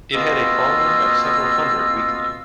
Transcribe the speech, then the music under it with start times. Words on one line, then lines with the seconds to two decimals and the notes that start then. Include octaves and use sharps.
It had a following of several Hundred weekly.
0.14 B2 A#3 C4 F4 D#5 E6